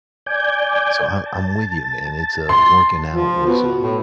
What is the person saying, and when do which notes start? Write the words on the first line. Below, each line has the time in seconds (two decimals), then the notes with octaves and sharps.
So, I I'm with you, man. It's, uh, working out was, uh
0.26 D5 G#5 G6
1.26 A5
2.49 C6
3.12 F3
3.46 B2
3.80 A2